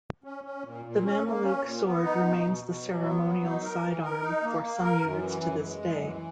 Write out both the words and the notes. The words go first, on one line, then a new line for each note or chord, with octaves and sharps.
The Mameluke sword remains the ceremonial side arm for some units to this day.
C#4
C#4
A#2
A#2
C#4
A#3
C#4
A#2
B3
D#4
B2
B2
B2
F#3
B3
F#3
D#4
A#4
E3
A#4
D#4
A#3
A#3
A#4
F#2
E3
F#2
G#3
F#2
E3